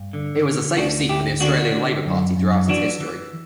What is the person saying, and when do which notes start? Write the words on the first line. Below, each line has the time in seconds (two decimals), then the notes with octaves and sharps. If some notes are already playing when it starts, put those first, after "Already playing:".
It was a safe seat for the Australian Labor Party throughout its history.
Already playing: G2
0.13 D3
0.45 D3
0.77 D2 D4 F#4
1.08 D2 E4 G4
1.41 D3 D4 F#4
1.74 D3
2.06 F#2
2.37 F#2
2.69 E3 D4 F#4
3.01 E3